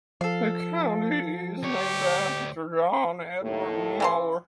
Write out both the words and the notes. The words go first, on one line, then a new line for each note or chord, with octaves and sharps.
The county is named after John Edward Mower.
F3 A4 F5
D2 G4 C#5
D#2 A2
C#3 E3 C6